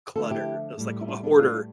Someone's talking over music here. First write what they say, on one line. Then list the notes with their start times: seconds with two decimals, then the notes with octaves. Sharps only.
clutter. It was, like, a hoarder
0.16 D3 F3 A3 F4 A4
0.30 E4 G4
0.78 A2 G3
1.01 E4
1.08 D4 F4
1.23 B3 D4
1.39 A2 G3 D4 F4